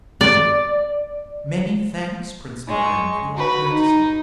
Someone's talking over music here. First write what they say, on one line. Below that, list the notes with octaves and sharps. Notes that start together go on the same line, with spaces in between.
'Many thanks, Prince Milan, for your courtesy.
D5
G#3 C#6
F#4 B4
D#4